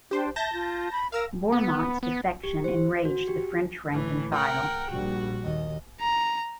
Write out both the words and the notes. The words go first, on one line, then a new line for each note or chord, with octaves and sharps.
Bourmont's defection enraged the French rank and file.
D4 G4 C5
E5 A5 G6 A#6
F4
B5
A#4 F5 E6 A#6
B3
B3
G4
C5
F#4
G4
A2 E3
A#4 F#5 G5
A#1 A#2 G3 F#4
D#2 D#5
A#5